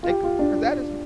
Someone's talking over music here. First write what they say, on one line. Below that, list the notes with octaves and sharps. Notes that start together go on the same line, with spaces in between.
Like, 'cause that is m
F4
G4
F4
D4